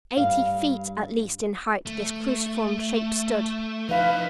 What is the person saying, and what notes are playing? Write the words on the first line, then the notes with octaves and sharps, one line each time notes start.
Eighty feet at least in height, this cruciform shape stood.
G2 F5
A3
F3 D#4 E4 B4 F5